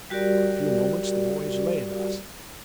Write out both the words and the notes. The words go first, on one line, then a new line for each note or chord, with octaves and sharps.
For a few moments the boys lay thus.
G3 F#4 G4 A#4 D5